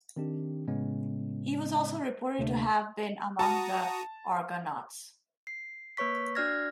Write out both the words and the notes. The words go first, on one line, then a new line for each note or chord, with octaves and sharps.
He was also reported to have been among the Argonauts.
D#3 C4 D4 G4
A2 C#3 G#3 B3 C#4
D2 C3 A3 A#3 D4
F#4 A5 A#5 D#6
C7
A#3 B4 C#5 C#6 B6
D4 F#4 D5 F6 G#6 A#6